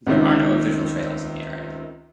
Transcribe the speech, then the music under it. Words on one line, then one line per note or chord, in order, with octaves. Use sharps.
There are no official trails in the area.
C#2 C3 D#3